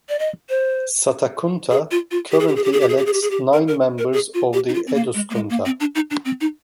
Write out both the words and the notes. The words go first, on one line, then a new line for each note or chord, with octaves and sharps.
Satakunta currently elects nine members of the "Eduskunta".
D5
D#5
C5
G#4
F4
F4
G4
G#4
G4
G#4
G4
G#4
G4
G#4
G4
G#4
G4
G#4
G4
A#4
A#4
A#4
G#4
F4
G4
D#4
F4
C4
A#3
G#3
A#3
G#3
A#3
C4
D4
D#4
D4
C4
D#4